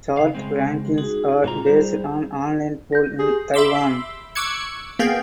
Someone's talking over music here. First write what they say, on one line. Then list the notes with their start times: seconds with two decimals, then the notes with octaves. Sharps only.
Chart rankings are based on online poll in Taiwan.
0.17 C#3 E3 F5
0.35 C#3 G#3 C4
0.98 D#4 F#4 G#4
1.44 G#2 C3 F4 F#4 A#5
1.67 G3 G#4 C5
2.93 G6 A#6
3.19 G4 G#4
3.54 E5 B5 C6 D6 E6
4.35 C#6 D6 E6 F#6 G#6 C#7
4.99 A#3 B3 G#4 F5 G5